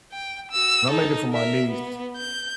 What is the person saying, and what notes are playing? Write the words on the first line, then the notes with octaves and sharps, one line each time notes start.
and I made it for my niece,
G5
F#4 E6
D#4 A4
A#4 E5
B3
G6